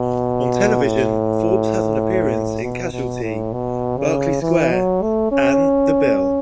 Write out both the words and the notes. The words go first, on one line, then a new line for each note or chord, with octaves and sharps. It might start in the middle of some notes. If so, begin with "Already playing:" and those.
On television, Forbes had an appearance in "Casualty", "Berkeley Square" and "The Bill".
Already playing: B2
A2
B2
B2
A2
B2
C#3
E3
F#3
A3
C#4